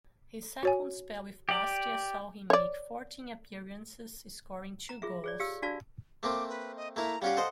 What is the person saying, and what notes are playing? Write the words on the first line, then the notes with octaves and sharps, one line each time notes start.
His second spell with Bastia saw him make fourteen appearances, scoring two goals.
F#4 C#5 G#5
G4 D5
C#5 D5
A#5
F4 G#4 E5
G#4 C#5 D5
G4 F5 E6
D4 F#4 D5 F5 A5
A3 A#3 C4 D6
B4
D#5
A3 A#3 E4 A#5
G3 C#4 G4 F5 F#5
A4 C5 D#5